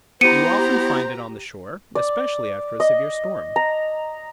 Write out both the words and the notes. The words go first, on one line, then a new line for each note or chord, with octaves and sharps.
You often find it on the shore, especially after a severe storm.
B3 E4 G4 C5 A#5 C#7 D#7
D5
D#5
A#5